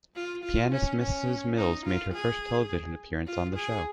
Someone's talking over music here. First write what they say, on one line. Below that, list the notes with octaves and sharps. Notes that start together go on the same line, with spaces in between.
Pianist Mrs Mills made her first television appearance on the show.
F4
F4
C#4
C#4
D#4
F4
G#4
F4
G#4